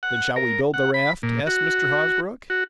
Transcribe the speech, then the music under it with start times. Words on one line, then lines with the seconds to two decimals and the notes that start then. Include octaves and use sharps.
"Then shall we build the raft?" asked Mr. Hosbrook.
0.03 F#5
0.36 A#4
0.74 F#5
0.94 B5
1.23 A#2
1.47 F#4
2.50 F#4